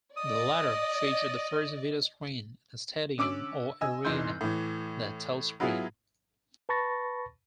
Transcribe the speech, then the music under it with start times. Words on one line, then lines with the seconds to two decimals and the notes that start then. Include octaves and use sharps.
The latter featured the first videoscreen in a stadium or arena, the Telscreen.
0.17 D5 D#5 D#6
3.18 D3 C#4 D6 E6 D7 F#7
3.81 D#5 G#5 E6
4.05 F1 E3 D#4 C6 G6
4.41 A2 E3
5.60 F#3 B3 E4 F4 G#4
6.69 B4 A5 B5 C#6 A6 A#6